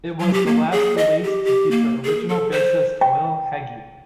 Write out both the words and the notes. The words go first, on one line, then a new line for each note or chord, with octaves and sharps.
It was the last release to feature original bassist Will Heggie.
F#3
G4
A#3
G#4
D#5
G4
G4
A#3
G#4
A4
C5
G5